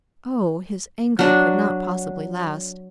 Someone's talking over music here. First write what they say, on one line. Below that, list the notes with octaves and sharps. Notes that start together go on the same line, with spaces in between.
Oh! his anger could not possibly last.
F#3 D4